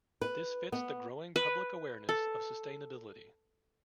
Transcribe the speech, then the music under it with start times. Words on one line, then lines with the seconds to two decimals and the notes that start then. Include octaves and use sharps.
This fits the growing public awareness of sustainability.
0.21 B4
0.72 B3
1.36 B4
2.09 A4